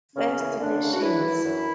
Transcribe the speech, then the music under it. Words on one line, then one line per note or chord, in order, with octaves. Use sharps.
First Nations.
F#2 C#3 C#4
E3
F#2 D3 D4
C#3
F#4
F#2 E3 E4
E3
F#2